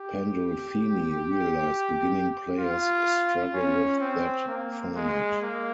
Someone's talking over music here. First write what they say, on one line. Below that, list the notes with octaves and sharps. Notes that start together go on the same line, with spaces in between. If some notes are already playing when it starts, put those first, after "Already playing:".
Pandolfini realized beginning players struggle with that format.
Already playing: G4
F4
C#4
C4
A#3
G#3
A#3